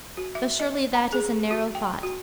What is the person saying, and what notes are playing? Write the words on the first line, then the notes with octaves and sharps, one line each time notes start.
But surely that is a narrow thought.
F#4
E5
D#5
A#5
G#4
F#4
G5
F#4